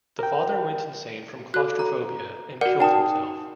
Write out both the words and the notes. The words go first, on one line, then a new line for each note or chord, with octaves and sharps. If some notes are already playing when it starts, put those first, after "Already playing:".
The father went insane from claustrophobia and killed himself.
A#4 G5
F#4 A4 F#6
A#5
F#4 A#4 D5 F#5
D#4 G5 A5 D#6